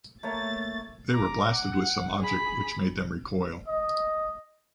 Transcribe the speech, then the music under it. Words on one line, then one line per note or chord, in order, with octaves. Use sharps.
They were blasted with some object which made them recoil.
A3 A#3 C#5 A6
A#5 D6
F#5
G#4 B5
D#5